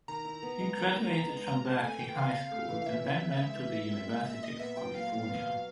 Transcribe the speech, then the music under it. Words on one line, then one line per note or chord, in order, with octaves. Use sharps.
He graduated from Berkeley High School and then went to the University of California.
D#3 A#5
E4
B3
G#3
D#3
E4
B3
G#3
C#3 A#5
C4 A5
A3 G#5
E3 G5
C#3 F5
C4
A3
E3
F5
E3 E5
E4
C4
G#3
E3
E4
C4
G#3
A#2 E5
A#2 D#5
B3 E5
F#3 G5
A#2 F5
A#2
B3
F#3